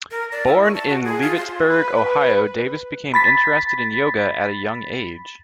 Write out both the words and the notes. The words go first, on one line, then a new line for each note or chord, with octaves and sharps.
Born in Leavittsburg, Ohio, Davis became interested in yoga at a young age.
A#4
D5
E4
C#6
A5
F#4
G#4
F4
C6
B4
B5 A6 B6